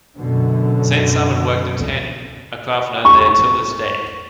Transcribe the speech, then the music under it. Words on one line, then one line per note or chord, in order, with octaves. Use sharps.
Saint Simon worked in tanning, a craft known there till this day.
F#2 B2 D3
C#6